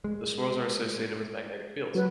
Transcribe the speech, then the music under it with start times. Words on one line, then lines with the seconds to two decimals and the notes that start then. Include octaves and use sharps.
The swirls are associated with magnetic fields.
0.04 G#3
1.95 F#3 B4